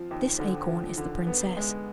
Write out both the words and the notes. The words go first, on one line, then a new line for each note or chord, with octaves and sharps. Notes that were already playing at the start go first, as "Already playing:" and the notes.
This acorn is the princess.
Already playing: F3 C4
D#2
D3
F3
D3
B3
G#3